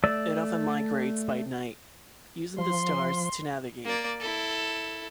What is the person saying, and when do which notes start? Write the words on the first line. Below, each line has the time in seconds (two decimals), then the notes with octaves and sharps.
It often migrates by night, using the stars to navigate.
0.04 A3 D5 E6
2.58 F3 C6
3.85 A#3 D5
4.20 E4 A4